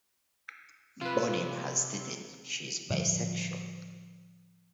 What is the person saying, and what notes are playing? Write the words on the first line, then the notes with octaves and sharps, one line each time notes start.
Borden has stated she is bisexual.
C3 F4 B4
A2 D3 F3 G3